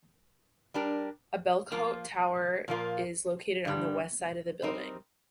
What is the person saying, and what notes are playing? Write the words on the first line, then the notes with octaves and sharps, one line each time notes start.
A bellcote tower is located on the west side of the building.
G3 D4 G4 A#4
F3 A#3 F4
A#2 F3 A#3 F4 A#4
G2 D3 G3
G3 C4 D#4 A#4